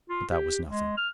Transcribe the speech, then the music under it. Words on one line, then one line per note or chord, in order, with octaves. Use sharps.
But that was nothing.
F4
G4
G#3
F6